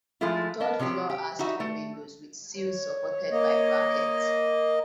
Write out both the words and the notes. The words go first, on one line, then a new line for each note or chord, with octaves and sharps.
The third floor has three windows with sills supported by brackets.
F3 G#3 A3 E4 F4
B3 A#4 D#5 A5
C3 F3 F#3 G4
G4
D#4 E4 F#4 E5
A3
C#5
A#3 D#5